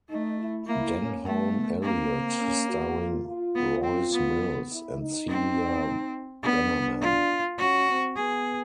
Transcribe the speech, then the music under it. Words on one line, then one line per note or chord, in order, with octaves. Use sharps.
Denholm Elliott, starring Royce Mills and Celia Bannerman.
A3 D#4
E4
A#3 E4
C#4
A3 B3
A#3 C4
C4
C#4
F#4
F4
F4
B3
C4
B3
E4
D#4
C4
B3 D4
F4
C#4 F#4
C4
B3 G#4